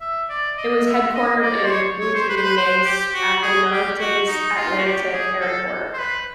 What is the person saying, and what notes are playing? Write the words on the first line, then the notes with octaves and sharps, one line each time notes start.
It was headquartered in Bouguenais at the Nantes Atlantique Airport.
E5
D5
D#5
E5
D#5
D5
C5
C#5
C#5
C5
B4
C5
B4
C5
G4
F#4
G#4
G4
F#4
D#4
F4
F#4
G4
G#4
A4
C5
B4